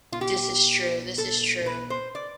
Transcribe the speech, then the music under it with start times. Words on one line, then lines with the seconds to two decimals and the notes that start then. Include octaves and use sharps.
This is true, this is true.
0.13 F4
0.21 G4
1.18 A4
1.66 B4
1.90 C5
2.15 D5